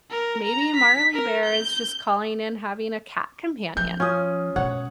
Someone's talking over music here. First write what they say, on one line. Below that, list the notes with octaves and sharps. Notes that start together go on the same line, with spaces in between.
maybe Marley Bear is just calling in having a cat companion.
A#4
A#5
B6
A#4
G6
F3 G6
C#4 F4 D#6
B2 G#3 C#5 F#5